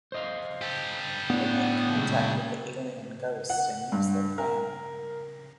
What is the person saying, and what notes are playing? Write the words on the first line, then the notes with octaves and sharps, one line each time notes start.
They make contact with the alien "ghosts" and use their plan.
C5 D#5 F5
G4 A4
A2 B3 D4
A#2 C#3 G#3
F#5
G2
A#4